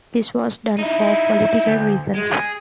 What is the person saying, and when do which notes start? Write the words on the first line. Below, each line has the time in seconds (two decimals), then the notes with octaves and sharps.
This was done for political reasons.
0.78 D#4 E4
1.66 D2
2.15 G#3
2.32 G#4